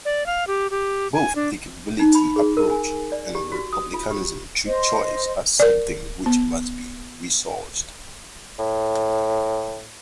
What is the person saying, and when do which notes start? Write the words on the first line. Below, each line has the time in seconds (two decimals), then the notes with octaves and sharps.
Both the capability approach and republicanism treat choice as something which must be resourced.
0.05 D5
0.26 F5
0.47 G4
0.71 G4
1.13 G#5
1.36 D4
2.00 D#4
2.15 B5
2.36 G#4
2.57 A#4
2.70 G#5
3.12 D5
3.35 G4
3.52 F#4
3.73 D#6
3.93 F4
4.11 G4
4.66 C5 D#5
5.60 A#4 D5
6.26 B3
8.59 A2